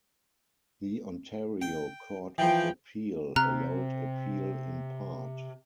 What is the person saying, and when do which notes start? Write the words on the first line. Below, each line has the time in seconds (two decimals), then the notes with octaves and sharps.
The Ontario Court of Appeal allowed appeal in part.
1.62 G5
2.38 E3 F3 G5
3.36 C3 A#5 F6 F#6